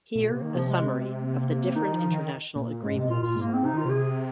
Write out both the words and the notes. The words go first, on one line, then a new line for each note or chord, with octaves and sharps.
Here a summary of the different international agreements.
A#2 A#3
C3
D#3
C3 F3
G#3
G#3
A#3
D#3 D#4
F3
D#3
A#2
G#2 G#3
C3 G#3
A#2 F4
A#2 F4
G#2
A#3
C4
C3 D#4
D#3 F4
C3 G#4